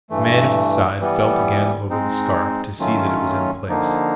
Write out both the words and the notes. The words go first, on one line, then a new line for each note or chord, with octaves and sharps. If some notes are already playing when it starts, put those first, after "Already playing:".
The man at his side felt again over the scarf to see that it was in place.
G2 E3 A3
E3 G3 B3
G#3 C4 D#4
D#3 F#3 A3 C#4 F4
D3 F3 A#3 D#4